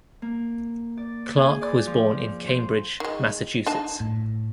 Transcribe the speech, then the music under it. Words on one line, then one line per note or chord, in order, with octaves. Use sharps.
Clarke was born in Cambridge, Massachusetts.
A#3
D5
G#4
D5
F3
C5
D#3 G#3
D4 D#4 A5
A2